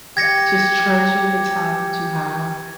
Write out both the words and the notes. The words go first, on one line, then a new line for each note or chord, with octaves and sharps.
...g just treasure the time that you have
G4 G#6 A#6 C#7